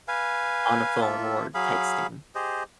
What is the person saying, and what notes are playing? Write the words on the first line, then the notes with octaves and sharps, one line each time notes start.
on a phone or texting.
B4 F5 G#5
A#3 F4 A4 E5
F#3 G#4 F5 B5
G4 G#4 C5 D#5